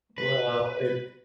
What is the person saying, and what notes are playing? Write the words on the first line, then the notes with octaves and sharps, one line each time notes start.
Well, it
B4